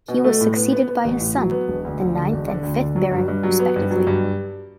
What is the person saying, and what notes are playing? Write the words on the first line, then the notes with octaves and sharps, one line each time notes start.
He was succeeded by his son, the ninth and fifth Baron respectively.
B2
A3
A2
B3
B3
B3
A1
A2
F#3
B3
E1
D2
D2
D3
E1
D3
D2
D3
F#3
G2
G2
F#3
B3
G2
F#3
G2